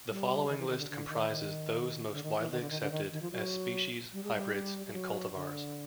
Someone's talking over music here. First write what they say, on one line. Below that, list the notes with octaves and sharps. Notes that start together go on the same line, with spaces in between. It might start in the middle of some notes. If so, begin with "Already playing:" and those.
The following list comprises those most widely accepted as species, hybrids, and cultivars.
G3
D#3
E3
D#3
D3
D3
D#3
D#3
D3
D#3
E3
D#3
D3
D#3
D3
D#3
D#3
F3
F#3
G3
G#3
G3
G3
F#3
D3